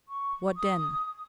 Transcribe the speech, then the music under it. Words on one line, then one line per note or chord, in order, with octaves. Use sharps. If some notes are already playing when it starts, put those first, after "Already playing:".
What then?
C#6
D#6